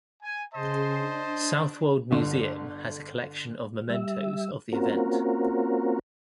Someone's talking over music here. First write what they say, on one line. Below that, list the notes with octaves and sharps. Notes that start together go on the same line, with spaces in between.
Southwold Museum has a collection of mementos of the event.
G#5
C#3 G#4 C5 D#5 A5 C6
D4
G1 D3
G3 E5
A#3 C4 C#4 F4 F#4 A#4